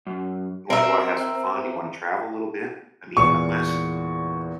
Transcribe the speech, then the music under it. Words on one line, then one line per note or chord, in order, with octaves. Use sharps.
You wanna go and have some fun? You wanna travel a little bit? I mean, unless
F#2
C4 A#4 E5
E2 A#2 G#3 C#6